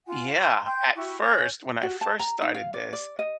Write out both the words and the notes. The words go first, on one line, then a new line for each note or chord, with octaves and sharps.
Yeah. At first, when I first started this,
F4 F#5 G#5
C6
G5 C6 G6
E4 F#4 G4 C#6
C#4 C#5 G6
F#4
A5
A#5
D#4
F5
D5
D5
D#5